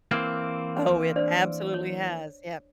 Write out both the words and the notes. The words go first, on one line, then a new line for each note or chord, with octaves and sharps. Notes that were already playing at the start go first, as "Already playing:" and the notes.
Oh, it absolutely has. Yep.
E3 A#3 C4
D4 C5 D5
C#5